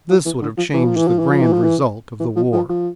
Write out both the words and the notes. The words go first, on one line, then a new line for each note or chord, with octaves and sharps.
This would have changed the grand result of the war.
F3
E3
D3
F3
E3
F3
E3
F3
E3
F3
E3
F3
E3
E3
F3
F3
F3